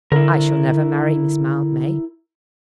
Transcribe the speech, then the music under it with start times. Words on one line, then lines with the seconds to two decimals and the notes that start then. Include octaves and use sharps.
"I shall never marry Miss Mildmay."
0.12 D3 E4 A#4